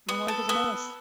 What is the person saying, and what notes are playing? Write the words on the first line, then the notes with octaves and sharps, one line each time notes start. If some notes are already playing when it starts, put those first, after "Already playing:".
My life is a mess.
B3
A4
B3